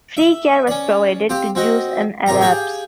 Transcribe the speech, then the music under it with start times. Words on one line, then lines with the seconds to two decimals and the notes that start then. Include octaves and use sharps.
Free care was provided to Jews and Arabs.
0.17 E5
0.67 C#4 D5
1.30 C4 G4 F5
1.55 C4 F#4 D#5
2.26 G#2 C3 A#4 A#5 D6
2.41 G4 G#4 F5 G5 G#5